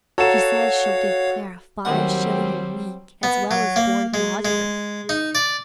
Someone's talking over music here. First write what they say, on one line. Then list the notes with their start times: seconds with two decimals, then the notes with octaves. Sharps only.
She says she'll give Clara five shillin' a week, as well as board an' lodge her.
0.18 F#4 A4 C#5 F5 A#5 E7
1.85 D#2 F#3 G3 C4 F#5
3.23 B3
3.51 F#3
3.76 A#3
4.14 G#3
4.45 G#3
5.09 D#4
5.35 D5